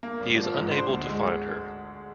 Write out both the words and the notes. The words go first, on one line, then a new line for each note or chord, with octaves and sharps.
He is unable to find her.
A#3
G#1
F3
G#2
D4 C5
D2
G#3